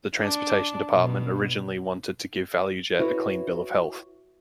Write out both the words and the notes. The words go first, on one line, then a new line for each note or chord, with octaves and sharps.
The Transportation Department originally wanted to give ValuJet a clean bill of health.
D4
B2
E4 F#4 B4 C#5